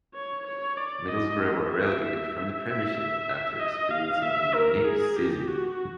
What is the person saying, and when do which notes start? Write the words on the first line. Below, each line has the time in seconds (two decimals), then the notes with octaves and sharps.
Middlesbrough were relegated from the Premiership after experiencing a unique season.
0.14 C#5
0.46 C#5
0.77 D5
1.08 D#5
1.71 E5
2.66 E5
2.97 E5
3.59 D#5
3.91 F5
4.22 E5
4.54 A#4
4.85 G#4
5.17 G4
5.48 F#4